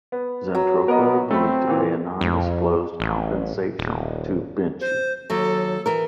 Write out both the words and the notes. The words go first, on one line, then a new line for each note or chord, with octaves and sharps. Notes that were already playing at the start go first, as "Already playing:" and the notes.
Zentropa agreed to pay a non-disclosed compensation to Binchy.
B3
F#3
B3 A#4 D#5
A3 C4 B5
A#2 E3
F2
A1
D#1
C5
D#2 F#3 A4
E3 A#4